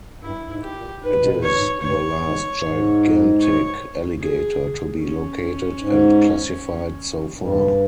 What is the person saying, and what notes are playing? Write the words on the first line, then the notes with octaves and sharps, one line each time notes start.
It is the last gigantic alligator to be located and classified so far.
G2 E4
G#2
G4
A#2
G#2 B4
B2
A#2
C#5
G#2
G2 C#5
G#2
G#2
C#5
G#4
C#4
G#2
G2